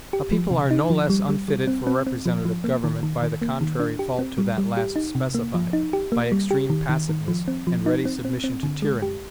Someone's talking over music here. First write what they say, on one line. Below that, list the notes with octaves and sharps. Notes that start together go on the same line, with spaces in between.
A people are no less unfitted for representative government by the contrary fault to that last specified--by extreme passiveness, and ready submission to tyranny.
G4
F3
C3
D#4
F3
G3
G3
G3
C4
C4
C4
F3
F3
A#3
D#3
D#3
D#3
A#3
D#3
D4
G4
C4
G3
G3
G4
D#4
C3
A#3
F3
D#4
G4
A#3
G3
G4
D#3
D#3
D#3
F3
C4
F3
D#4
C4
C4
C4
D3
G#3
G4